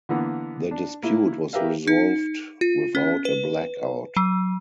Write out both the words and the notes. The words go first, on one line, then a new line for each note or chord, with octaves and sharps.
The dispute was resolved without a blackout.
D3 E3 A#3 B3
D4
A#3 E4
G4 A#4 B4 E5 F5
D#4
F4
C#4
B4
F#3